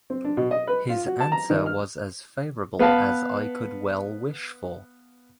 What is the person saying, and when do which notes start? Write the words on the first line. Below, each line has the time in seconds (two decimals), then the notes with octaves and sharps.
His answer was as favorable as I could well wish for.
0.10 C4
0.25 D4
0.37 B2
0.51 D#5
0.67 B4
0.89 F4
1.06 F#4
1.20 A5
1.32 A#5
1.50 D#3
1.66 F6
2.79 B3 B4 F5 A5